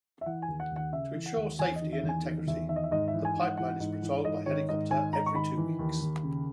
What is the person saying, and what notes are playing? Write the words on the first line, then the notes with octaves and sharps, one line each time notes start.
To ensure safety and integrity, the pipeline is patrolled by helicopter every two weeks.
E5
E3 F#5
G#5
D#2
F#5
D#2
F#5
C#3 E5
E3
F#5
D#2
E2 G#5
D#5
D#3
E5
E2
G#5
D#3
E2 E5
D#3 E5
D#5
E5
G#2 D#5
E5
E3
G#5
G#2 F#5
E3 F#5
G#2
E3
G#2 D#5
D#3 C#5
G#2 D#5
D#3 G#5
G#2 A#5
C#6
D#3 B5
E3
D#2
D#2
C#3